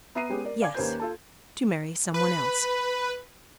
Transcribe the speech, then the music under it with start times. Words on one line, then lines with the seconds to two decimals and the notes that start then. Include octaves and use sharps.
"Yes--to marry some one else."
0.15 B3 E5 A#5 C7 D#7
0.29 G#3 B3 C#4 G4
0.44 A#4 D5
0.61 D5 F5 G#5 D6 G#6
0.74 D#2 A#3 C#4 B4 C5 G6
1.00 F4 A4 A5
2.14 B4